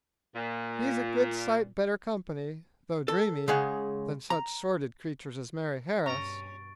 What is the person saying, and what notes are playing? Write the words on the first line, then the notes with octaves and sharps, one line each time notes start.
"He's a good sight better company, though dreamy, than such sordid creatur's as Mari' Harris."
A#2
A4
C#3 G#3 G#4 F#5
A#5
G2 B2 C#4 A#5 C#6 A6 D7